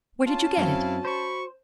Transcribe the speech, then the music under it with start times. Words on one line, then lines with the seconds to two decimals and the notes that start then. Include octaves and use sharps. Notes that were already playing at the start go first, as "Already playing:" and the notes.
Where did you get it?
0.26 C#4 F4 A5
0.57 F#2 C4 E4 F#4 F5
1.05 C5 B5 C#6